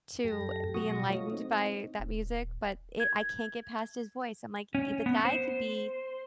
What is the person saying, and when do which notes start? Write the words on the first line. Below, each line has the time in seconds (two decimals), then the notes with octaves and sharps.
to be enlightened by that music, but it I can't get past his voice. I'm, like, "The guy could be
0.24 F#2 G4 A4 A#6
0.74 B2 F#3 F#4 C#6 D#6 A#6
1.10 A3 F4 C#5 D#5
1.32 C4 D#4
2.00 D#1
3.00 G#6
4.75 C#4
5.06 B3
5.25 C5